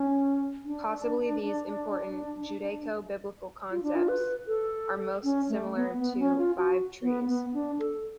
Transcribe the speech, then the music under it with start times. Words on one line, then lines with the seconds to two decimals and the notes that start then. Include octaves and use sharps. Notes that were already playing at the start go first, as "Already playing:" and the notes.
Possibly these important Judaico-Biblical concepts are most similar to "five trees".
Already playing: C#4
0.65 D4
3.71 F4
3.83 D4
3.95 F4
4.08 B4
4.47 A4
5.24 C#4
5.49 A3
5.75 B3
6.00 B3
6.19 C#4
6.38 F4
6.57 F#4
7.02 B3
7.28 B3
7.54 D4
7.79 A4